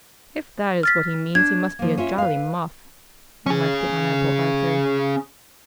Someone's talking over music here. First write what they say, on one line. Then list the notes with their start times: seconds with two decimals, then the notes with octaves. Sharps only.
"If that is what he means, he must be a jolly muff," remarked the Honourable Arthur.
0.83 F6 A6 B6
1.35 D4 G#6
1.79 F3 A#3
1.98 C#4 F4 E5
2.18 B4 F5
3.46 C#4 G#4